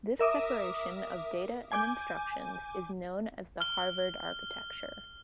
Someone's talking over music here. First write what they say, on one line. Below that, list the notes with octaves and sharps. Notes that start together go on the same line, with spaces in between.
This separation of data and instructions is known as the Harvard architecture.
A#4 E5 D6 D#6
G#5 D6 G6
F6 G7